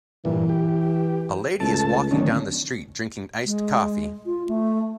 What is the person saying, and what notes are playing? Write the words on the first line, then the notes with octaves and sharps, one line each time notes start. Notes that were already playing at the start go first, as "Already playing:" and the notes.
A lady is walking down the street drinking iced coffee.
G2 A#2 E3
G4
C#2 A3 A5
D1 D3 D#3 C#4
G#3
F4
A3